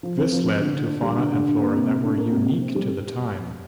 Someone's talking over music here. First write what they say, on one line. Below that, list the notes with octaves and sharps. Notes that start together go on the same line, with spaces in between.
This led to fauna and flora that were unique to the time.
F3
C4
F3
C4
D3
D3
D4
G3
D3
D3
D4
A#3
C3
C3
D4
A#3
C3
C3
C4
G3